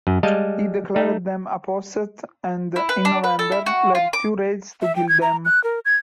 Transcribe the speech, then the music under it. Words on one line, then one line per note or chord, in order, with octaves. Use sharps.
He declared them apostate and, in November, led two raids to kill them.
F#2
G3 G#3 D#5 F5 A5
A3 D#4
E4
B4
D4
B4
A4
E4
F#4
F4
D6
E5
G5
G#6
A#5
F#6
A#4
G#6